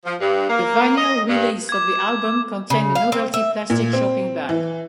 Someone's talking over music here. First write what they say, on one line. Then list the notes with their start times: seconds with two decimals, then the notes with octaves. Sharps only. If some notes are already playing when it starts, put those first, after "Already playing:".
The vinyl release of the album contained a novelty plastic shopping bag.
0.05 F3
0.21 G2
0.49 A#3
0.98 D#5
1.29 G2
1.69 D6 G#6
2.70 C#3
2.95 F5
3.12 C4
3.34 E5
3.70 A#2
3.93 C4
4.49 E3